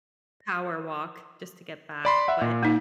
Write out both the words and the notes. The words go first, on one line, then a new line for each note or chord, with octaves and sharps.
power walk, just to get back, but,
D5 B5 C6
E5 F#5
A#2
A#3 D#4